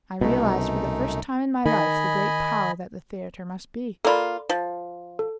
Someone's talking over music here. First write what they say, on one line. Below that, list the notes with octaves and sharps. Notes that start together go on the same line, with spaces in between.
I realised for the first time in my life the great power that the theatre must be.
C2 F#2 B2 A3 D#4
D#3 D#5 G#5 B5
A#3 F4 A4 D5 B5
F3
A4